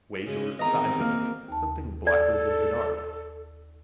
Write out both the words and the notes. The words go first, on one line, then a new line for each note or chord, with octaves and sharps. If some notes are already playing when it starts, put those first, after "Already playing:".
Weight or size of it, something blacker than the dark.
C#3 G#3 C#4
E2 D#3 C4 D#5 A#5
A#3
D#2 A5
A4 D5